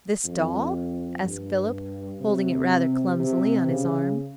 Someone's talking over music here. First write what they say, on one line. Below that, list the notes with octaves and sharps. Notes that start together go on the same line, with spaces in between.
"This doll?" asked Philip, holding it rather clumsily on his arm.
F2
G2
C3
C3
C#3